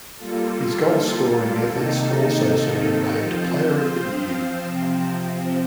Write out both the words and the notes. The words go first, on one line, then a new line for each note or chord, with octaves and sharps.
His goalscoring efforts also saw him named Player of the Year.
G3 A#3 F4 A4
C3 D#3 A#3 D#4 A4
F3 C4 F4 C5
C3 F3 C4